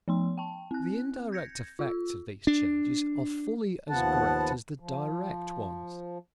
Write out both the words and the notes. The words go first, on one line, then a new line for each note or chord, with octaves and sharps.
The indirect effects of these changes are fully as great as the direct ones.
F3 B3 C6
G5 A5
C4 F#6
G6 G#6 A#6 C#7
F4 E6
D4
D#2 F3 B3 F#5 A5
F3